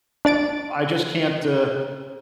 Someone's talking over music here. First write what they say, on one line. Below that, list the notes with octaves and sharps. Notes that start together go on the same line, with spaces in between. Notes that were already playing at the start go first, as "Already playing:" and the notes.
I just can't, uh,
D4 D5 A6 D7